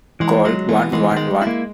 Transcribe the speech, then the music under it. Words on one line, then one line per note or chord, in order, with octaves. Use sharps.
Call one one one.
E3 G#3
F#3 G#3
E3 B3
E3 G#3
D#3 G#3
E4
A#3